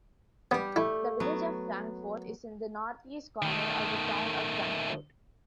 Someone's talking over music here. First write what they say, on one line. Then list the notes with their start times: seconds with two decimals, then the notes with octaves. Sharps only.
The Village of Frankfort is in the northeast corner of the Town of Frankfort.
0.51 G3 B3 G4
0.76 A3 E4
1.20 F#3 B3
3.42 D#3 A3